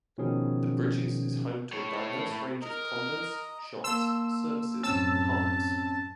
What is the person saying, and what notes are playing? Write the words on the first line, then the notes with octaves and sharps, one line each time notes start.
The Bridges is home to a diverse range of condos, shops, services, and parks.
B2 D#3 F3 C#4 G#4
A2 C#5
A#4 D#5 A#5
A#3 A5 C6 E6
F#2 A2 C4 C#4 A5 E6